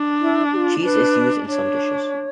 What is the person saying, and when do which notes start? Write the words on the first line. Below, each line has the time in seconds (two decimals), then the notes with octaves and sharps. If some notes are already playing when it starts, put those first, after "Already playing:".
Cheese is used in some dishes.
Already playing: D4
0.21 E4
0.53 G4
0.57 F4
0.84 D4 B4
1.48 D4 C#5